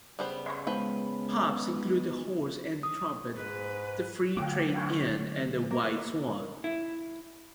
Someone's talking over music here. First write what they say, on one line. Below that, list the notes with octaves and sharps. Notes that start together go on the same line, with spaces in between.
Pubs include The Horse and Trumpet, The Free Trade Inn, and The White Swan.
C#3 G3 B3 C5
F3 G#3 B3 B4 G5
D#4
D#6
G#2 B4
D3 F#3 A3 D6
A#3
E4